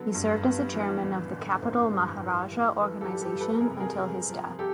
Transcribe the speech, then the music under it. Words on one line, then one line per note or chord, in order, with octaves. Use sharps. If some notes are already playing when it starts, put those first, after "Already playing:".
He served as the chairman of the Capital Maharaja organisation until his death.
Already playing: D3 F#3 B3 A4
G2
B3
E3
A1
D3
A1 A#4 C5
G2
E3
E3
E3 A4 B4
G4 A4
G3
G4 A4
F3 A4 B4
G#4 A#4
C3
G#4 A#4
C3
F3
G4 A4